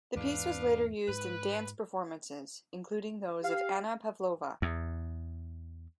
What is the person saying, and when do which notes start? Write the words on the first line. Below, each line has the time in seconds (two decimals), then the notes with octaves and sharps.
The piece was later used in dance performances, including those of Anna Pavlova.
0.16 E2 G#2 E3 D4 B4 F5
1.08 G#2 B4
3.43 G4 F5
4.62 E2